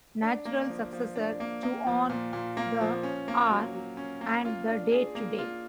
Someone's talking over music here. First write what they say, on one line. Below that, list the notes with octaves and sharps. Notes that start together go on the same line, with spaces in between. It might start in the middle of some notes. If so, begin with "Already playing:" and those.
Natural successor to on the Hour and The Day Today.
D4
A#3
F3
F3
D4
A#3
A#3
F3
A#2
A#2
A#3
F3
C#4
A#3
F#3
F#3
C#4
A#3
F4
D4
G#4
A#3
F4